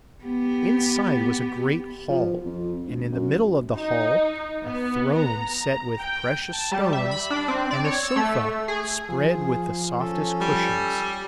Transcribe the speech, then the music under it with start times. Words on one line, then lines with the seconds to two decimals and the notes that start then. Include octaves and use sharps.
Inside was a great hall, and in the middle of the hall a throne set with precious stones and a sofa spread with the softest cushions.
0.24 B3 G4
2.09 F3
2.45 F2
2.87 D2
3.12 F#2
3.78 D#4
4.64 B3
5.19 A#5
6.00 G5
6.53 A5
6.72 G3
6.93 E5
7.11 B5
7.30 D4
7.48 C4
7.71 D5
7.84 C#5
8.03 E6
8.16 A3
8.68 G#4
9.09 F3 G#4
10.00 C#4 A4
10.41 G3